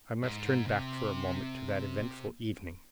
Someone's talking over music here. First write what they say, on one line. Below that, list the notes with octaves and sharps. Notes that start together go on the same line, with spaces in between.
I must turn back for a moment to that eventful evening.
G#2
C3